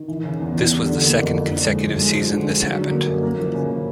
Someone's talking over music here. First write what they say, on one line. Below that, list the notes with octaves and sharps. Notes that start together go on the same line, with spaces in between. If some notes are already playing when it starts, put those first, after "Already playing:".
This was the second consecutive season this happened.
Already playing: D#3
E3
C#3
E2
E2
G3
D3
A#3
F2
F3
D3
G#3
F#2
G#3
F3
D3
D3
F#3
D3
A#3
F#2
A#3
F3
C#3
C#3